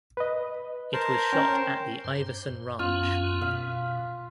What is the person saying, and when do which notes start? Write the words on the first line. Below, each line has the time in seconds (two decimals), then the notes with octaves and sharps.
It was shot at the Iverson Ranch.
0.17 B4 D#5
0.93 A#4 C5 A5
1.33 C#4 G5 A#5
2.04 G2 C5
2.79 F#2 B3 C#4 F4
3.41 B2 F5